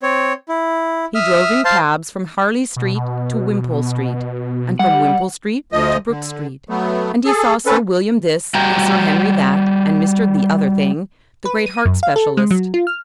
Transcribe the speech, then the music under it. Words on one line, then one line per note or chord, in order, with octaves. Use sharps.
He drove in cabs from Harley Street to Wimpole Street, and from Wimpole Street to Brooke Street--and he saw Sir William this and Sir Henry that, and Mr. The-other-thing, the great heart specialist.
C4 C#5
E4
E5 D#6 F6
C5 F5 A5 C6
B2
G3 F#5
D2 F3 D#5
D3
F#3 A3 B3
G#4 A4
C4 C#4 A4 B4
G3 F#4 G5 A#5
B4
D#7
F#2
F5
A4
G#3
F#3
F4
F6